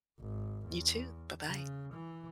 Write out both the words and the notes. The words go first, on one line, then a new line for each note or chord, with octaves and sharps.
You too. Bye-bye.
G#1
E2
C#3
E3